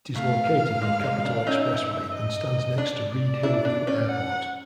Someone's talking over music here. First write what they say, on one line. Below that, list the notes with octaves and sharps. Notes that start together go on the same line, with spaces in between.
It is located on Capitol Expressway and stands next to Reid-Hillview Airport.
A3 F5
G#3
G#3
D4
C#4 D#4 E5
D#5
D4 D5
D4 E4
D4
C#4
F#5